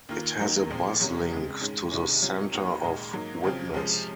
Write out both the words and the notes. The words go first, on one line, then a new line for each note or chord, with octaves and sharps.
It has a Bus Link to the centre of Widnes.
D#2 D#3 A#3 F4
D#2 D#3 F#3 A#3 D#4
A#2 F3 G#3 C4
C2 C3 F#3 A#3 C#4
F2 C#3 G#3
G#2 D#3 G#3 C#4
C2 C3 D#3 G#3 C#4
C3 F#3 C#4 F4
D#2 D#3 A#3 C#4 F#4
A#2 G#3 D#4
G#2 F#3 A#3 D#4
F2 C#3 F#3 C4 F4
C3 F3 G#3 C#4